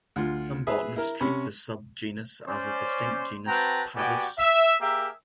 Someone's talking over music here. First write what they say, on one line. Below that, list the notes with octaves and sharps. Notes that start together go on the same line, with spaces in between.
Some botanists treat the subgenus as a distinct genus "Padus".
D2 F4
G#4 B4 E5
E4 A#4
C3 C#4 B5
C#4 C5 D5
C4 F#4 B4 G5 A5 A#5
B3 F#4 G4 D5 G5 G#5
E5
A#3 G4 G#4 A#4 E5